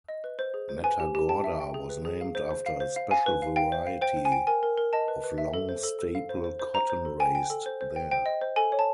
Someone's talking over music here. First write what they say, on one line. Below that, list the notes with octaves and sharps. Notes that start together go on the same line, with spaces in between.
Matagorda was named after a special variety of long-staple cotton raised there.
D#5
B4
C5
G#4
C5
B4 G#5
G4
G4
G5 A5
E5
G5
G#4
B4
G#4
F5
C5
C5
F5
C5
F5
F5 G#5
B4
F5
F5 G5
C5
F5
C5 G5
C5
G#5
G5
A#4 G#5
A#4
A#4
D#5 A5
B4
B4
E5
A4
C5
A4
A4
F5
C5
C5
C5
C5 A#5
C5
A4
G5 G#5
G5
A4
C5
C5
G5
C5 G5
D#5
C5
A4 G#5
C#5
A5